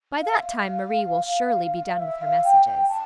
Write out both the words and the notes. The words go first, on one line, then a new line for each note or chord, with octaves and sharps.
"By that time Marie will surely be done with her messages."
F5
E5
F5
E5
F5
G5
G5
A5